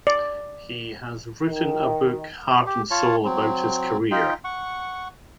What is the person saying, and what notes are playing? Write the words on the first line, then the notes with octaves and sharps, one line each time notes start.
He has written a book, "Heart and Soul", about his career.
D5
D#3
G4
F4 C#5 A5
F#3 C4
D#4 F4 G5
F#5 C#6